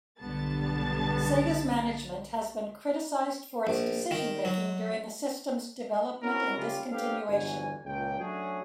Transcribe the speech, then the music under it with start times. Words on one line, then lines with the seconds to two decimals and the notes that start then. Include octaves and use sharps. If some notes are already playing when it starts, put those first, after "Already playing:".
Sega's management has been criticized for its decision-making during the system's development and discontinuation.
0.20 B1 D3 G3 B3 A5 A6
3.67 A#1
4.11 D#3
4.45 F#3
6.21 C4 C#4 E4 F#4 A#4
6.56 C#3 G3 F4
6.90 A3 B3 C4 D4 G4 F5
7.28 G1 E2 F#4 G#5
7.84 C#2 A#2 G5
8.19 F#3 A3 C#4 D4 F#4 G#4